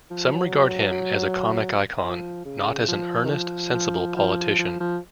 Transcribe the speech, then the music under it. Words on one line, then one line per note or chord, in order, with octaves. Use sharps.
Some regard him as a comic icon, not as an earnest, sensible politician.
F3
F#3
F3
C#3
F3
D#3
F3
F3
F3
F3
F3